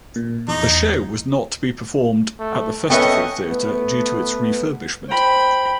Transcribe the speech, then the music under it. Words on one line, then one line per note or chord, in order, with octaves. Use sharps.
The show was not be performed at the Festival Theatre due to its refurbishment.
A#2
E2 D#4
A3
B3 C#4 A4 B4 D#5 E5 G5 C#6
A3 B3
C5 G5 B5